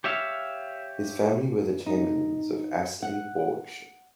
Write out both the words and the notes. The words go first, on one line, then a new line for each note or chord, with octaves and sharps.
His family were the Chamberlaines of Astley, Warwickshire.
G4 C#5 E5 F5
D#4
F#5